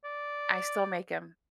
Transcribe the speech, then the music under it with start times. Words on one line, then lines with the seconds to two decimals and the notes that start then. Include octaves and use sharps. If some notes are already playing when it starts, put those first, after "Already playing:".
I still make 'em
0.04 D5